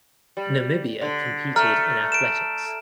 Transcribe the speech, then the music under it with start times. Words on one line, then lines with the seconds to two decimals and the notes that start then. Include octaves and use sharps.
Namibia competed in athletics.
0.37 G3
1.01 D3
1.56 A3 A#5 F6
2.12 D7 E7